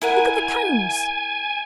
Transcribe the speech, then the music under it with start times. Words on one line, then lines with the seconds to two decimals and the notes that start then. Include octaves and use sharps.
Look at the Cones!
0.02 E4 A#4 F#5 G#5